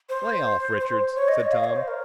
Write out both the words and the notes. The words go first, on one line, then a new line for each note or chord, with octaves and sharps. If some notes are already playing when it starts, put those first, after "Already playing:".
"Lay off, Richards," said Tom.
C5
C5
C#5
D#5
C#5
F5
C#5
C5
A#4